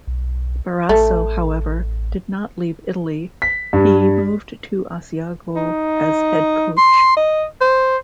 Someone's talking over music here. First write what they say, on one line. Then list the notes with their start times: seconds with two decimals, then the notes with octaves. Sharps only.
Barrasso, however, did not leave Italy: he moved to Asiago as head coach.
0.07 B1
0.89 A1 A3
3.42 B6
3.73 G2
5.56 D#4
6.77 C6
7.17 D#5
7.61 C5